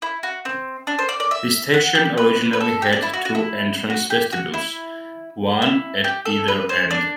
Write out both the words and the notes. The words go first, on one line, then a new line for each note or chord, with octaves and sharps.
The station originally had two entrance vestibules, one at either end.
E4
F#4
C4
D4
C5
D5
D5
E5
F#5
G4
B4
B4
A4
G4
D4
E4
F#4
F#4
E4
F#4
G4
F#4
E4
E4
G4
A4
B4
C5
D4